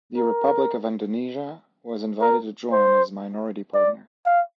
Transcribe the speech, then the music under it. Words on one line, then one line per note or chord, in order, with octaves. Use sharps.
The Republic of Indonesia was invited to join as minority partner.
A#4
A#4
C5
D5
F5